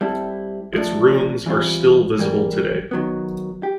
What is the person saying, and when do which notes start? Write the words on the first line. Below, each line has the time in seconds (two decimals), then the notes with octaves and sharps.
Its ruins are still visible today.
0.01 G3 C4 E4 A4
0.73 F3 A3 D4
1.46 E3 G3 C4 F4
2.19 E3 G3 A#3
2.91 D#3 F#3 B3
3.63 G4